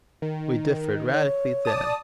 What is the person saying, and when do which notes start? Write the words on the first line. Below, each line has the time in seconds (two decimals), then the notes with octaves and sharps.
We differed radically then.
0.22 D#3
1.10 C#5
1.65 D5 A5 D#6